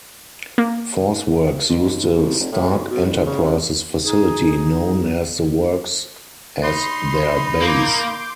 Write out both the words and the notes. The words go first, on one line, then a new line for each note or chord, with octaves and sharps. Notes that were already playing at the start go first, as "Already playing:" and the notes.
Force Works used a Stark Enterprises facility known as The Works as their base.
A#3
F2
D#2
C2
F1
A2
B1
B2
A1
C#3
C3
D#4 G#4
D#4 B5 C6
A#3 C6 D6 G6